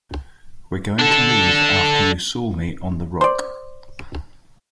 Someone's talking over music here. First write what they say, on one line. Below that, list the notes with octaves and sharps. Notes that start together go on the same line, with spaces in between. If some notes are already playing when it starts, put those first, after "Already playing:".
You were going to leave after you saw me on the rock.
D4 A4
C5 D5